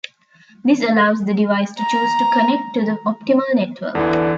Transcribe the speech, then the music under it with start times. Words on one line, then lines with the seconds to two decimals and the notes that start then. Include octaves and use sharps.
This allows the device to choose to connect to the optimal network.
1.79 A#5
3.95 E2 D3 E3